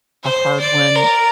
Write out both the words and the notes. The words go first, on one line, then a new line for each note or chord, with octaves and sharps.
a hard one
C5
D5
A#4